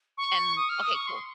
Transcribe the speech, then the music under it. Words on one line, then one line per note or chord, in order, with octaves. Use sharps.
and okay, cool
C#6
D#6
F6
D#6
C#6
C6